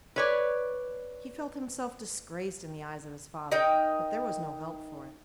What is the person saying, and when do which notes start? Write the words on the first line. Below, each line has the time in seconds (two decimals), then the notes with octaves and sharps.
He felt himself disgraced in the eyes of his father, but there was no help for it.
0.16 B4 C#5 D5
3.51 D#4 A#4 D#5 G5